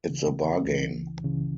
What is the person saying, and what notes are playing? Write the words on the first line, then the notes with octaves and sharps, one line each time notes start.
It's a bargain!
C#2 C#3 E3
C#2 C#3 E3
C#2 C#3 E3